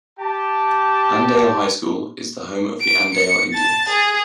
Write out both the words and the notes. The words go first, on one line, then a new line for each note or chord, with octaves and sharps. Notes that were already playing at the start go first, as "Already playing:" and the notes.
Andale High School is the home of the Andale Indians.
G4 A5
D7
C#7
A5 A6
G#4